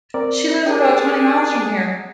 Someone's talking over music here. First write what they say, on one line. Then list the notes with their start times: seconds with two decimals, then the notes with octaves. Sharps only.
She lives about twenty miles from here.
0.14 C4 A#4 D5
0.66 D4 G4 G#4 A#4 G5